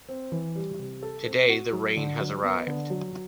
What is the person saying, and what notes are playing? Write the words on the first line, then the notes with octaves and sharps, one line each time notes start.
Today, the rain has arrived.
C4
E3
G3
C3
A4
C4
F#4
F#3
D3
F#3
B3
D3
F#3